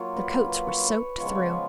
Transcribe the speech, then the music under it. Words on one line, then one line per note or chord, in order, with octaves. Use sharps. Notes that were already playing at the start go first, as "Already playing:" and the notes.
Their coats were soaked through.
Already playing: F#3 A#3 F4 C#5
B4
B4
C#5
C#5
B4
C#3 F3 G#3 B3 F4 C#5
B4
C#5